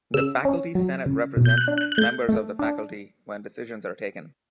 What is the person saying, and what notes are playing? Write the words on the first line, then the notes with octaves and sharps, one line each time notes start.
The faculty senate represents members of the faculty when decisions are taken.
C#3 E6
C#4
F#3
C#3
B2
G6
F#6
D4
F#6
F#6
A3 G6
A3
D4